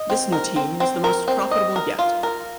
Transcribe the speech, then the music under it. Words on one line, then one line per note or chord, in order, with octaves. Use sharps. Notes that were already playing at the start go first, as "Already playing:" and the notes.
This new team was the most profitable yet.
Already playing: D#5
C4
A#4
C4
C4
A#4
C4
D#5
A#4
F4
A#4